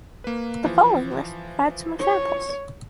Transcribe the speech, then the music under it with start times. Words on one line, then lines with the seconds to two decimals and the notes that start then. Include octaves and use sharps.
The following list provides some examples.
0.24 A#3 B4
0.64 E3 F3
1.99 C#5